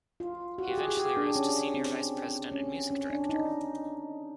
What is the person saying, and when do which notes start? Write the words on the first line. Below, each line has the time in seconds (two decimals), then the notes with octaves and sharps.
He eventually rose to Senior Vice-President and Music Director.
0.20 F4
0.58 F#4
0.68 G4
0.78 G#4
0.88 G#4
0.97 G4
1.17 D4
1.36 C#4
1.74 C4
2.52 C#4
2.91 C#4
3.10 D4
3.29 D#4